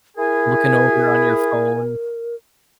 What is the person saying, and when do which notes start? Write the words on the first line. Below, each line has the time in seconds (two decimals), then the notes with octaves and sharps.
looking over on your phone.
0.17 E4 G#4 A#4 G#5